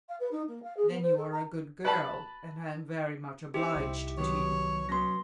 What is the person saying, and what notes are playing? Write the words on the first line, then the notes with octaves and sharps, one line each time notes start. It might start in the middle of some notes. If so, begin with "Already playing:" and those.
"Then you are a good girl, and I am very much obliged to you."
F5
B4
D#4
A#3
F5
G#4
B3
C5
A4
A#5
B4 A5 B5
C4 D#4 E4 G4
C2
D#3 F#3 B3 C#5
F#3 B3 C#4 C6 A#6